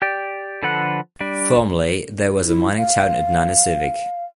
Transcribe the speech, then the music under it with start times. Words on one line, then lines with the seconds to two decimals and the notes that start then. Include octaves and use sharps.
Formerly there was a mining town at Nanisivik.
0.02 G4 D5
0.63 D3 F3 A4 B4 F#5
1.21 G3 D4
2.46 E4
2.77 F5